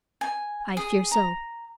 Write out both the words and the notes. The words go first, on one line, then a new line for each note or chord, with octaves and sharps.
"I fear so."
G#5
G#4
A#5